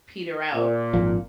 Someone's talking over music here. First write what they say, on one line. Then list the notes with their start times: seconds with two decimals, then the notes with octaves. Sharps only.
peter out
0.53 A#2
0.93 G#1 F3